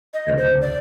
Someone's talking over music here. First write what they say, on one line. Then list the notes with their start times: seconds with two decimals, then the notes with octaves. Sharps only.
definitely not.
0.14 D#5
0.38 C5
0.61 D5